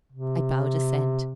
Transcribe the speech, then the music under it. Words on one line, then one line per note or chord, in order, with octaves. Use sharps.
I bowed assent.
C3